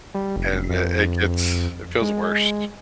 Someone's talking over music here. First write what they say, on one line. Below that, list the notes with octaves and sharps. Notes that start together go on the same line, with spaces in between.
and it it it's it feels worst.
G3
F1
F2
G#3